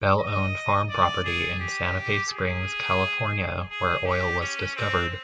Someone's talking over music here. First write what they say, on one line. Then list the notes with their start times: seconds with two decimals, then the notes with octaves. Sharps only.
Bell owned farm property in Santa Fe Springs, California, where oil was discovered.
0.19 D#5
0.89 D5
1.24 G#4
1.60 G4
2.29 G#4
3.71 G#4
4.05 G4
4.41 C#4
4.76 C4